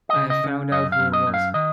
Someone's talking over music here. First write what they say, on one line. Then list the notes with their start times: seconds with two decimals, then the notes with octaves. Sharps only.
I have found out who it was.
0.09 D#5
0.16 C#3
0.30 D#5
0.44 C#3
0.71 F#2 D#5
0.92 F5
0.99 F#2
1.13 D#5
1.27 F#2
1.34 F5
1.54 D#3 D#5